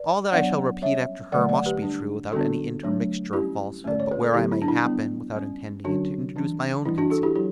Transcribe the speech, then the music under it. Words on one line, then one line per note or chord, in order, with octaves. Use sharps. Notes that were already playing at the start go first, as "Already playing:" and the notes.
All that I shall repeat after her, must be true, without any intermixture of falsehood, but where I may happen, without intending it, to introduce my own conceits.
Already playing: B4 D5
F#3 B3 D4 D5 F#5
G3 C#4 C#5 E5
D3 F#3 A3 D5 F#5
D5 F#5
G4 B4
G3 D4
D3 G3 B3 D4 F#4 A4
F#3 A3 D4
G3 C#4 E4 G4
D3 A3 C#4 D5
C#5
B4
A4
D3 F#3 B3 E4 G4
E4
D4
E4
G3 B3 D4
G3 C#4
D3 F#3 C#4 D4 F#4
E3 G3 D4
E3 G3 D4 E4
D4 F#4
F#4 A4
E4 G4
F#3 E4 G4